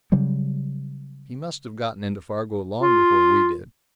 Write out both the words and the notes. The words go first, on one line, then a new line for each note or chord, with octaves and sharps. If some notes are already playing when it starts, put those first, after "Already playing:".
He must have gotten into Fargo long before we did.
C#3 F#3 G3
F4